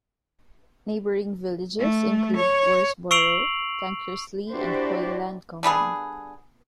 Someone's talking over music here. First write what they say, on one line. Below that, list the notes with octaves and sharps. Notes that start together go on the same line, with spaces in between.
Neighbouring villages include Worsbrough, Tankersley and Hoyland Common.
A3
C#5
C#6 E6 C7 D7 F7 F#7
D4 E4 F#4 G4 C5 D5
D3 G3 B3 G#4